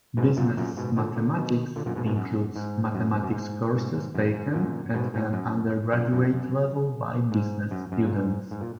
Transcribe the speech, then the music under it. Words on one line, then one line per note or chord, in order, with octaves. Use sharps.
"Business Mathematics" includes mathematics courses taken at an undergraduate level by business students.
G#2 B2
F#2 A#2
F#2 A#2
G#2 B2
A#2 D3
A#2 D3
B2 D#3
A#2 D3
F#2 A#2
G#2 B2
G#2 B2
F#2
G#2
G#2
F#2
G#2
F#2
G#2
G#2
G#2
F#2
G#2
F#2 A#2
G#2 B2
G#2
F#2
F#2 A#2
F#2 A#2
F#2
G#2
F#2
F#2
A#2
G#2
G#2
A#2